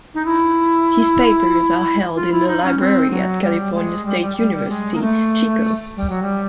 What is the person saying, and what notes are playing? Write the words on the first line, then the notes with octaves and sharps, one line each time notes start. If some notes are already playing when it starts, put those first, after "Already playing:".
His papers are held in the library at California State University, Chico.
D#4
E4
F4
E4
D#4
C#4
C4
F#3
G3
G#3
G3
G3
G3
G3
G#3
A#3
A3
G3
F#3
G3